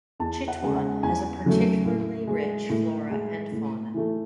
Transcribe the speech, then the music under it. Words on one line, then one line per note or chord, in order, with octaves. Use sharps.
Chitwan has a particularly rich flora and fauna.
E2 A5
F#5
C#3 G#3
F#5
E2 G#5
C#3 F#3 A3
A2
G#3
A2
G#3
A2
E3 A3